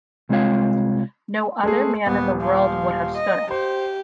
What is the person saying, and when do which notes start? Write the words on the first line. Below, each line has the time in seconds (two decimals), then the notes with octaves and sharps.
No other man in the world would have stood it!
0.29 C2 G#3 C4 F4 C#5 F5
1.63 G#3 A3 G#4
2.06 D#1 B3
2.41 F3
3.16 D#5
3.51 G4 C5